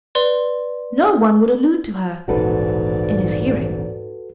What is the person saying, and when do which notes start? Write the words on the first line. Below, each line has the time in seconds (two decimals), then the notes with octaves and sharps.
No one would allude to her . . . in his hearing.
0.15 B4 D5 C6
2.28 E1 A#1 E2 G#2 F#4 A4 B4 D5